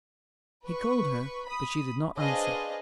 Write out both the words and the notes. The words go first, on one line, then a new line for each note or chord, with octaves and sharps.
He called her, but she did not answer.
B4 C#6
B5 D#6
D4 G#4 B4 C5 D#5 F5